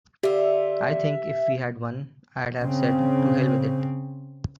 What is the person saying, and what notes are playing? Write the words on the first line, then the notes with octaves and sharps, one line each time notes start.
I think if we had won, I'd have said, 'To hell with it'.
D3 F4 G4 E5
C#3 C4